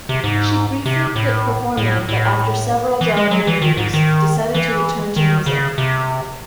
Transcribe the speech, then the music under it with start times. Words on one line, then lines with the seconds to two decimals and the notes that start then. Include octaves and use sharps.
She briefly quit performing, but after several job interviews decided to return to music.
0.09 C3
0.24 G#2
0.86 C3
1.16 A2
1.77 A2
2.09 A2
3.01 E3
3.17 G#3
3.31 F#3
3.47 E3
3.62 D#3
3.77 G#2
3.94 D#3
4.55 E3
5.16 D#3
5.46 C#3
5.78 C3